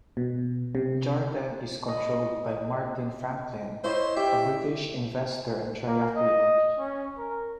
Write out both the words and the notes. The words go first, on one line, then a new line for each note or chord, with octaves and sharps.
Jarden is controlled by Martin Franklin, a British investor and triathlete.
B2
C3
D#5 B5
E4 C5 C#5 D#5
G4 D5 E5
A#3
D#5
C#4
A#4